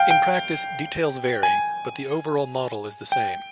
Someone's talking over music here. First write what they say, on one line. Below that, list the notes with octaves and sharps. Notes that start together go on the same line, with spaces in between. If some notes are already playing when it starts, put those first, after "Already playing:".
In practice, details vary, but the overall model is the same.
Already playing: F5 G5
G5
G#5
G5